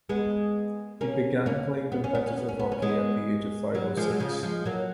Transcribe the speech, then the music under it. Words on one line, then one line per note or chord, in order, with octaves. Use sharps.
He began playing competitive hockey at the age of five or six.
G#3 B3
A#3 C#4
A#3 C#4
B3
C#4
B3
C#4
B3
C#4
B3
C#4
G#3 B3
F#3 A#3
F3 G#3
F#3
C#3 F3
F3 G#3
F#3 A#3